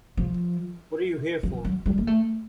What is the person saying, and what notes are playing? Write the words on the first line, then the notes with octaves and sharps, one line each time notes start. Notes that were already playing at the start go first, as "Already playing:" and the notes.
What are you here for?
F3
F3
F#3
G3
A#3
A3